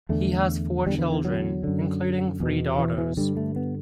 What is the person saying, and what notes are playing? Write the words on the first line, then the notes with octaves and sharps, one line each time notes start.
He has four children, including three daughters.
E2 D3 A3
E2 D3 G3
E3
E3
F#3
F#2 D3
E2 B2
E3
E3
G2 D3 G3
A3
B3